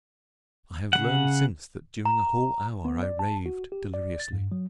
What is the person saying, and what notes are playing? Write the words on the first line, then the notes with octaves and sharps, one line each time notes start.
I have learned since that during a whole hour I raved deliriously.
C#3 G3 F#5
A#5
B3
D5
A5
F#4
G4
D5
A6
G2
F#3